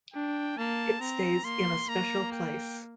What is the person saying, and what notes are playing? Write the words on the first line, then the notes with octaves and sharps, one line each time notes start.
It stays in a special place.
D4 G5
A#3 A5
C4 A#5
A#3 C6
A#3 A#5
G5